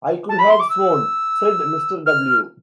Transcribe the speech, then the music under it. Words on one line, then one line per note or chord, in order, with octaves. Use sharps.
"I could have sworn — " said Mr. W..
A5
B5
C6
D6
E6
F6